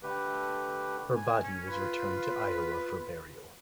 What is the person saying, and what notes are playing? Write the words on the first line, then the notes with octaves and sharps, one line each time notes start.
Her body was returned to Iowa for burial.
D3 A3 G4 B4
G#5
C#4
F4 B4